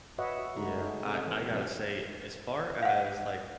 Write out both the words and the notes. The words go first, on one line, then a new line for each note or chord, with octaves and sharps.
Yeah, I I gotta say, as far as, like,
F#4 B4 C#5 D#5 E5 F#5
F#4
C#3 G#3 A3 D#4 F#4
C3 A3
E3
B2 F#3 C#4
F5 F#5